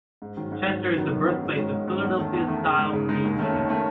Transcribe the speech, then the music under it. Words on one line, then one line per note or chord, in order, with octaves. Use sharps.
Chester is the birthplace of Philadelphia-style cream cheese.
G#2
D#3 F#3
G#2
D#3 F#3
F#2
D#3 F#3 B3 D#4
F#2
D#3 F#3 B3 D#4
G#2
D#3 G#3 C#4
G#2
D#3 G#3 C#4
E2
D#3 A3
E2
D#3 A3
C#3
G#3 D#4
C#3
G#3 D#4
D#2
D#3 A3 C#4
D#2
D#3 A3 C#4